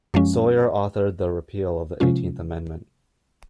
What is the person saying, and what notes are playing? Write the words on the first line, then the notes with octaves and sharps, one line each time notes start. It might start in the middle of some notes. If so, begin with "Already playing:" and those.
Sawyer authored the repeal of the Eighteenth Amendment.
F#2 F3 G#3 C#4
C3 F3 G#3 C#4 F4